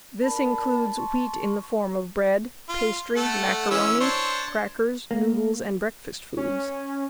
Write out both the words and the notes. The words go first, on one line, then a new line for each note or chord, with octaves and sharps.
This includes wheat in the form of bread, pastry, macaroni, crackers, noodles, and breakfast foods.
D4 A#4 A5 B5
C6 C#6
F4
A3 A4 F#5
E3 C#4 E6
D4 C5 C#5
A#3
C#4